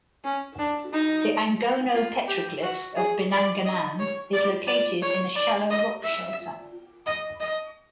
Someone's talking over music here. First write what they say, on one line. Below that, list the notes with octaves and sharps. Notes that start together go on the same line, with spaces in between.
The Angono Petroglyphs of Binangonan is located in a shallow rock shelter.
C#4
D4
D#4
F4
G4
F#4
G#4
D5
D#5
C#5
D5
D5
C#5
D5
D#5
E5
D#5
D#5